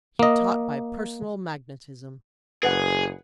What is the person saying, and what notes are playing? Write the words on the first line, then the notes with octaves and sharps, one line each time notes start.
He taught by personal magnetism.
A#3 D#5
F#1 G#4 B4 F#5